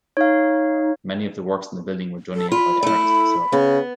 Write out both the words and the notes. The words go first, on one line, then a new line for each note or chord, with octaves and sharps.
Many of the works in the building were donated by the artist himself.
D#4 C#5 F5
A4
F4 B5
A3 E4
C#3 B3